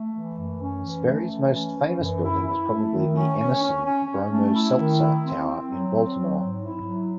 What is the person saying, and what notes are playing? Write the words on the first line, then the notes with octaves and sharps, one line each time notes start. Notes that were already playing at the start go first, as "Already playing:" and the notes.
Sperry's most famous building is probably the Emerson "Bromo-Seltzer" Tower in Baltimore.
Already playing: A3
E3
F#2
C#4
E3
A3
E3
C#4
E3
F#2
E4
E4
A3
D#3
C#4
C#4
C#4
C#4
C#4
A3
E4
D#3
E4
C4
C4
F#3
C4
F#3
G#2
E4
F#3